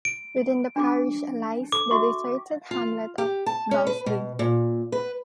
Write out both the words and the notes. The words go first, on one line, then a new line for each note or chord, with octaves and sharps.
Within the parish lies the deserted hamlet of Balsdean.
D7
D4 G#4 D6
A4 D6
F#4 E5 C#6
F4
G4
A5
C#4
B4
B2
A#2
B4